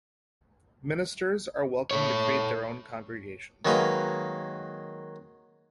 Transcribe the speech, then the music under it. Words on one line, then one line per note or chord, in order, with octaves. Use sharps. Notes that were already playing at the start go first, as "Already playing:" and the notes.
Ministers are welcome to create their own congregations.
A4 C#5
D#3 F#3 G#3 A#3 B4